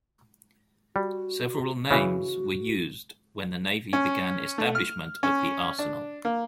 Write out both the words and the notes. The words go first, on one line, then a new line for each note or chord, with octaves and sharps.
Several names were used when the navy began establishment of the arsenal.
G3 F#4
C#3 E3 F#4
C#4
A3
F6
C#4
D4
A#3